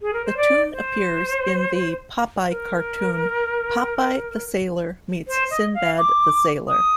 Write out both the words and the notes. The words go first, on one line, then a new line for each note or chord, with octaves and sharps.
The tune appears in the "Popeye" cartoon "Popeye the Sailor Meets Sindbad the Sailor".
G#4
A#4
C5
D5
C5
C5
A#4
C5
D#5
F5
D6
D#6